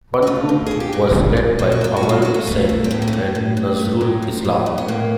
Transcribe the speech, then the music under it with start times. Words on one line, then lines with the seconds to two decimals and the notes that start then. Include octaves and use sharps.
One group was led by Amal Sen and Nazrul Islam.
0.22 F#4
0.27 A3 F4
0.49 A#2
0.66 A#2 G#4
0.80 G4
0.93 A#2 F#4
1.15 A#2
1.37 A#2
1.59 A#2 F4
1.72 F#4
1.81 F#3 F4
1.97 F#4
2.03 A3
2.09 F4
2.22 F#3 F#4
2.34 F4
2.47 A3
2.69 A#2
2.84 C4
2.91 A2 B3
3.02 A#3
3.08 A3
3.13 A2
3.35 A2
3.57 A2
3.79 A3
4.01 A2
4.22 F3
4.45 A2
4.66 A2
4.78 B3
4.88 A2 A#3